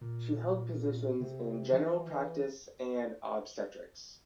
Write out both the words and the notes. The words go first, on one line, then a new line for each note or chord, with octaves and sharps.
She held positions in general practise and obstetrics.
A#2
C3
F3
E3
E3